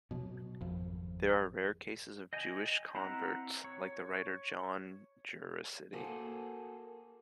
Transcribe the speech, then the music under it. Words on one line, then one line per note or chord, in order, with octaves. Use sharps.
There are rare cases of Jewish converts, like the writer Jon Juaristi.
B2 F#3
G#1 F2
D#5 G5 G#5
C4 E4 E5 F#5 A#5
C#5
A#3 F#4 G#4 A4 C5